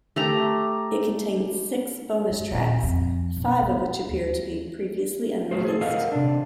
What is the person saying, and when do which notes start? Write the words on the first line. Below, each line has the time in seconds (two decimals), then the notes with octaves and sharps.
It contains six bonus tracks, five of which appear to be "previously unreleased".
0.16 A3 G4 A#5
2.29 F#2
2.51 D#1
2.83 F2
3.37 B2
3.62 B3
4.07 D#2
5.51 F#3 A3 F4 F#4 G#4 C5
5.65 G#4 A4
5.81 A4 A#4 D#5 F5 F#5
6.12 C3 D4